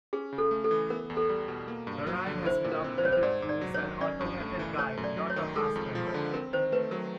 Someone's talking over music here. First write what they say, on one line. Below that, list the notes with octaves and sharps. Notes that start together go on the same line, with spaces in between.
The ride has been updated to use an automated guide, not a cast-member.
C#4 G#4
C#3
A4
A3
A4
E3
B3 A#4
E2
A4
G3
B2
A#3
G2
F#3
D3
E4 C5
A#2
A#4
C4
C5
G3 C#5
C5
G#2 D5
G#2
D5
F#3
C#5
D#3
C#4 D5
G2
A3
E3
A3 C#5
F#2
D5
F#3
C#5
D#3
G#3 A4
F2
F3
D3
C4 A#4
D#3 C5
A3 B4
F#3 A#4